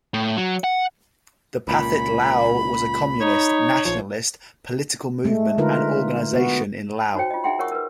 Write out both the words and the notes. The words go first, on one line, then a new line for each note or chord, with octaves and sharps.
The Pathet Lao was a communist, nationalist political movement and organization in Laos.
A2
F#3
F#5
C#2 A#2 B5
D#4 C#5
A#1 F3 C#5
G#3 A3
D3 G#3 D#4 F4 A#4 B4
B3 F#4
D#4 F#4 C5 C#5 G5
F4 D#5
D#4 G#4 E5 F#5 G5 C6
A#4 C#5 F#5 C#6 D#6
A#4 B4